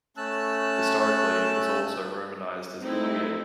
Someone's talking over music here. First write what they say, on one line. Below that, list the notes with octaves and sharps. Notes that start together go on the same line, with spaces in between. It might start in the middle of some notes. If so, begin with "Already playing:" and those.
Historically, it was also romanized as Inouye.
A3 C#4 A5 E6 F#6
A3 C4 D#4 E4